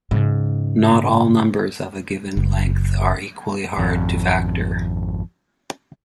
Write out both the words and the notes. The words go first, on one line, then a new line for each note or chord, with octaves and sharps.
Not all numbers of a given length are equally hard to factor.
G#2 C#3
F#1
G#1 F2